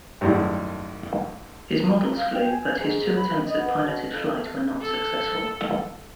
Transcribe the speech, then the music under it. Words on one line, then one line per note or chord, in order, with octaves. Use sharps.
His models flew, but his two attempts at piloted flight were not successful.
G#1 F#2 A2 G3
F5
G5
G#5
G#2
B5
D#5
B3
B2
F2
A3
A4